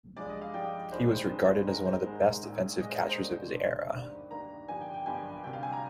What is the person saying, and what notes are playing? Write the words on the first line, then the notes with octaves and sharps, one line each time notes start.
He was regarded as one of the best defensive catchers of his era.
G2 F3 G#3 D4 D5
D#5
F5
G2 F3 G#3 D4 G5
G2 D#3 G#3 C5
C5
G2 D#3 G#3
G#2 D#3 G#3 A#4
C5
G#2 D#3 G#3
A#1 A#2 G#3
A#1 A#2 G#3 D#5
C5
A#4
C5
D#2 D3 G3
D#2 D3 G3
G2 D#3 A#3 D4
G2 D#3 A#3 D4 A#5
G1 G2 F3 A#3 D4 G#5
G5
G5
G1 G2 F3 A#3 D4 G#5
D2 C3 G3 D4 G5
F5
G#5
A#5